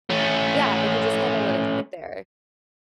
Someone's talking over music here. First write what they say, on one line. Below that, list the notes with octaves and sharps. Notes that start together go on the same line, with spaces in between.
Yeah, and you just, kinda let it sit there.
A3 C#4